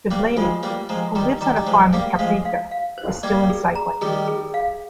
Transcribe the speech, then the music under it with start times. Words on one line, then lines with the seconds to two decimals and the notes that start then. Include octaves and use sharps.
De Vlaeminck, who lives on a farm in Kaprijke, is still in cycling.
0.11 G3 A#3 C5
0.37 F3 G#3 F4
0.63 G3 A#3 C5
0.89 F3 G#3 A#5
1.15 D#3 G3 A#5
1.41 D#3 G3 A#5
1.57 G3
1.67 F3 G#3 C5
1.93 G3 A#3 F5
2.19 F3 G#3 F5
2.45 F5
2.71 F5
2.98 C5
3.23 G3 A#3 D5
3.50 G#4
3.75 A#5
4.01 D#3 G3 G#4
4.28 G#4
4.54 F5